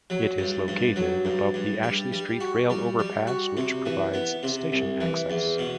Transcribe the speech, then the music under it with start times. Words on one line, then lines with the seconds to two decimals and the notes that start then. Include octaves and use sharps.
It is located above the Ashley Street rail overpass, which provides station access.
0.10 F#3
0.38 G2
0.68 G2
0.96 F#3
1.25 G2
1.54 G2
1.83 G3
2.13 G3
2.41 F#4
2.70 G3
2.99 G3
3.27 F#4
3.57 C3
3.86 E3
4.14 B3
4.43 C3
4.72 C2
5.01 E3
5.30 E2
5.58 B2